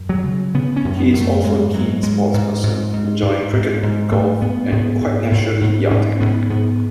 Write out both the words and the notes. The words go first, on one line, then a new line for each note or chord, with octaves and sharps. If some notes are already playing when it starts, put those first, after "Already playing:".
He is also a keen sports person, enjoying cricket, golf and quite naturally yachting.
Already playing: F#2
F#3
C#3
C#3 B3
C#4
F#2
B3
F#2
A3
G#2 G#3
G#2 F#3
G#2 G#3
G#2
G#2
G#2
G#2
G#2
G#2
G#2 A3
G#2 B3
G#2 B3
G#2
G#2
G#2
G#2 C#4
G#2 B3
G#2 B3